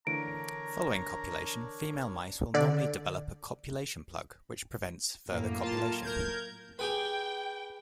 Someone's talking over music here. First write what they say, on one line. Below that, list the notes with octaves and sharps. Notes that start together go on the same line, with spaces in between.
Following copulation, female mice will normally develop a copulation plug which prevents further copulation.
D3 E3 A3 D4 A#4 C#5 A#5 D7
D3 D5
F#2 A2 F#3 A#3
F4 A5
A#4 G6 G#6
G4 G#4 B4 G5